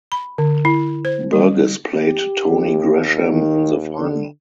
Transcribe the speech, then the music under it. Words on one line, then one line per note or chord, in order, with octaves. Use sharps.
Burgess played Tony Gresham in the final.
B5
D3
E4
C5
G3
G4
D#2
D#3
D3